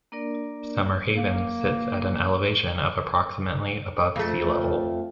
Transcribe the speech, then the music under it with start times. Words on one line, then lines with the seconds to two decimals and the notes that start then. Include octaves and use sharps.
Summerhaven sits at an elevation of approximately above sea level.
0.12 A#3 D4 A#4 D5
1.15 A#3
4.16 F2 A3